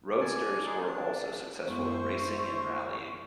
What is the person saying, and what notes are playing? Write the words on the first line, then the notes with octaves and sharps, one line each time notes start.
Roadsters were also successful in racing and rallying.
D5 G#5 A5
G#3 D#4 G#4
D4 A5
F#2 G#3 B3 E4 C5 C#6